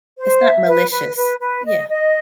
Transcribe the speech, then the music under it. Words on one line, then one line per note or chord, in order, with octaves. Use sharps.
It's not malicious, yeah.
C5
E5
B4
B4
B4
B4
D#5
D#5